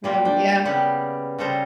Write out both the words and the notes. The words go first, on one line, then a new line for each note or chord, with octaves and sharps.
Habit, yeah.
G3 A#3 F4
D4 G5
C#3 G3 B3 G4 F#5
C#3 G3 A4 C5 A#5